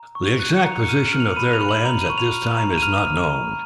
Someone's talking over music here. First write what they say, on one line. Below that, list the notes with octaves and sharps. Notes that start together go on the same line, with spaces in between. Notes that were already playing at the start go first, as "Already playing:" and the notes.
The exact position of their lands at this time is not known.
Already playing: A#5
C#6
F7
F#6 D#7
C#7
A#5
F7
C#7
F6 D#7
F#7
F6
F7
B5 D#7
F7
B5
F#7
A#5 F7
D#7
C#6
F7
F6
A#5
D#7
F6 F7
F6
A#5